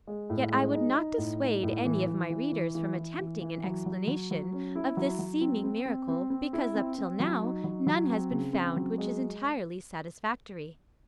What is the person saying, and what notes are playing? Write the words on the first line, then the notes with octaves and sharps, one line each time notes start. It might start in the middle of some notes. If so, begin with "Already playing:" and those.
Yet I would not dissuade any of my readers from attempting an explanation of this seeming miracle because up till now none has been found which is entirely satisfactory.
G#3
A2
G#3
D#4
D#4
A2
D#4
A2
E3
E3
E3
E3
E3
E3
E3
E3
F#3
F#3
F#3
F#3
C#4
E4
F#3
F#3
C4
C4
C4
C4
C4
E4
C4
C4
F#3
D#4
F#3
F#3
C4
C#3
C4
F#3
G#3